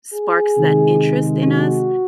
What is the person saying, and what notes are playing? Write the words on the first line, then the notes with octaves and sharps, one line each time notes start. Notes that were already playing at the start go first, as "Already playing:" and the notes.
sparks that interest in us,
G#4
C3 D#3 G#3
F#4